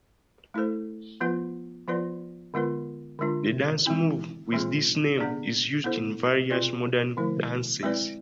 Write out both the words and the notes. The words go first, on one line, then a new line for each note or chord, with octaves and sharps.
The dance move with this name is used in various modern dances.
A3 E4 A4 C5
F3 B3 F4 B4
F3 B3 F4 B4 D5
D3 G#3 B3 F4 B4
D3 G#3 D4 F4
G#3 C4 E4
E3 G#3 C4 F4 G#4
B3 D4 G#4 D5
B3 E4 A4 C5
C4 F4 G#4 B4 D5
D3 F3 A3 E4
G#3 C4 E4 B4 D5